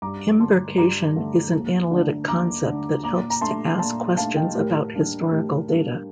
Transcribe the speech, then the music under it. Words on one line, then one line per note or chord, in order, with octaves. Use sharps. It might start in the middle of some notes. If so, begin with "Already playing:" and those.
"Imbrication" is an analytic concept that helps to ask questions about historical data.
G2 A#5 D6
D3 A3 A5 C6
G2 A#5 D6
D3 A3
D#2
D3 A3 D4
D#2 A#5 D6
D3 A3 D4
A#2 A#5 D6
A#5
A3 D4 A5 C6
A#2 A5 C6
A3 D4 F5 A5
D#5 G5
A2 G4 A#4
G3 A#3 D4
A2 G4
G3 A#3 D4